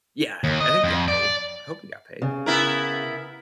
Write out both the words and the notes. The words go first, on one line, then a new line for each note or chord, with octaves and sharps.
Yeah! I think he got paid. I hope he got paid.
D#2
D#5
F2
D5
C#3
B3 E4 A#4